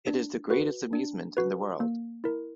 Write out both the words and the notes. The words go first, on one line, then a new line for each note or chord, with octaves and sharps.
It is the greatest amusement in the world!
D4
F#4 B4
D4
F#4 B4
A#3
E4 A#4